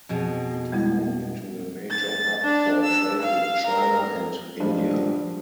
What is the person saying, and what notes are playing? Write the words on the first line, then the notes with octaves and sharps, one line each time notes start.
It grew into a major hub for trade with China and India.
F2 B2 G#4
G3 G#3 E4
A6
D4
E6
F5
A#4
F3 G3 G#3 D4 F4